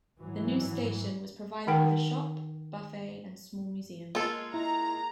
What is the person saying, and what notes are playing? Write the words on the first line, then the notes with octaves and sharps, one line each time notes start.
The new station was provided with a shop, buffet and small museum.
G#2 E3 F#3
D#3 D#4 A#4 F#5 G5
G#3 A#3 F4 G#4 A4
E4 A#5